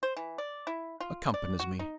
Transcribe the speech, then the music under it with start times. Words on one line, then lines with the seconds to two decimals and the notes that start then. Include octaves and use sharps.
'Accompanies me.
0.03 C5
0.17 E3
0.38 D5
0.67 E4
1.00 F4
1.34 D5
1.59 F#4
1.79 D#4